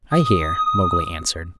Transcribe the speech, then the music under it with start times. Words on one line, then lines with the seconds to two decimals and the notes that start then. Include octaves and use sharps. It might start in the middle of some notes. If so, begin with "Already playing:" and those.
"I hear," Mowgli answered.
0.11 D#6